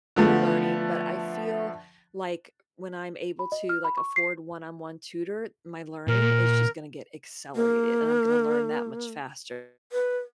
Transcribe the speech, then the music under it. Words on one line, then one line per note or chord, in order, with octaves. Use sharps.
we were learning but I feel, like, when I'm able to, like, afford one-on-one tutor, my learning is just gonna get accelerated, and I'm gonna learn that much faster.
D3 F3 A3 B3
B5
D#5
F6
B5
C#6
C7
A#2 A#4
A#3
B4